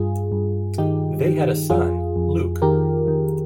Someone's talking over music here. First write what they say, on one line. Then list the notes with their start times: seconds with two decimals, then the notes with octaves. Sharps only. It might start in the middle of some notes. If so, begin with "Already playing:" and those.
They had a son, Luke.
Already playing: G2 F4 G#4
0.32 G2
0.78 D#3 D#4 G4
1.24 D#3
1.70 F2 F4 G#4
2.16 F2
2.62 D#3 G4 A#4
3.08 D#3